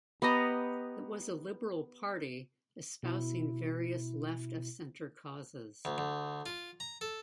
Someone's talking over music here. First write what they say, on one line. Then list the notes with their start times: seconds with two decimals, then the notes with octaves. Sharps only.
It was a liberal party espousing various left of centre causes.
0.22 B3 G4 D#5 A#5
3.03 B2 E4
5.85 D2
5.98 D2
6.46 F4
6.80 A#5
7.01 A4